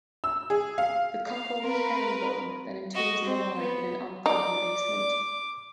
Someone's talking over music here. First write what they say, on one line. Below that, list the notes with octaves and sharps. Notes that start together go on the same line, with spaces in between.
The cuckolded Herringbone then entombs them alive in an alcove in the basement.
E6
G#4
F5
F5
C4 A#4 B4
F#4 D#5
C4
B3
D#4 D5 D6